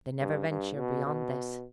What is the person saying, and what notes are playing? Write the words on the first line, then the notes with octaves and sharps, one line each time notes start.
They never venture beyond this.
G2
G2
B2
B2